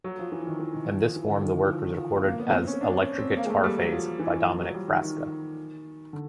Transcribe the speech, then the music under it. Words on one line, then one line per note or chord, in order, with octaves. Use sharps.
In this form the work was recorded as "Electric Guitar Phase" by Dominic Frasca.
F#3
F3
E3
D#3
E3
D#3
D#3
F3
E3
D3
D#3
E3
F3
F3
D#3
F3
A#3
A#3
B3
C4
C#4
D4
C#4
C4
A#3
G#3
A3
G3
F#3
F3
E3
F3
F#3
G3
D#3
D#3
D3